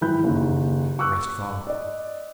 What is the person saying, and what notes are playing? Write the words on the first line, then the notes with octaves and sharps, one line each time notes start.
The rest followed.
G#2 D#3 E3 B5 F#6 G6
F#1 D#2
C#6 D6 E6 F#6
D5 D#5